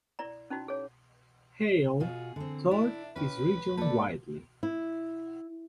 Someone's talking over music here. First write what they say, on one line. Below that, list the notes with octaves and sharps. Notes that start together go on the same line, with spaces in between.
Hale toured his region widely.
E4 D5 A#5
C#4 D#4 E4 F#4
G#4 C#5
B2 F4 F#4 G#4
D3 C4
D4 E4
C#4 G4 B4
A#3 D4 A4 B4 D5
E4